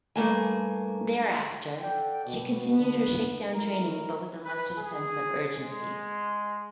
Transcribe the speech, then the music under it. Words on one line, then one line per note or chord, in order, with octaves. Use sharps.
Thereafter, she continued her shakedown training but with a lesser sense of urgency.
G2 A3 A#3 G#5
A4 D5 F#5 G5
B2
D3 B3
F#2 A2 D#4 E4 A#4 A#5
B4
G#4
G#3